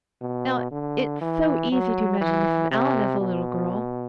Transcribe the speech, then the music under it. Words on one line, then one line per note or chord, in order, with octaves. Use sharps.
Now, it's so easy to imagine Mrs. Allan as a little girl.
B2
D3
E3
F#3
E3
C3
B2